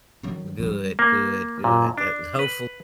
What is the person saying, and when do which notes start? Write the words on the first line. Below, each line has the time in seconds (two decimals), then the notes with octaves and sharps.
Good, good, good, that hopeful
0.23 D#3 F#3
0.59 F#3 G3
0.99 A#3
1.64 A#2
1.98 D4
2.39 B4